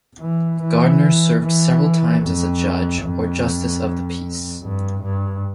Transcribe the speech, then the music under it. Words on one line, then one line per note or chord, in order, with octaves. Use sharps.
Gardner served several times as a judge, or justice of the peace.
E3
E3
E3
F2
F2
G2
G2